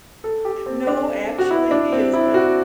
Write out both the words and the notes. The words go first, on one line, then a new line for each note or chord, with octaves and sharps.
No, actually, he isn't.
A4
G4
C4
D4
F#4
E4
D4
C4
E4
F#4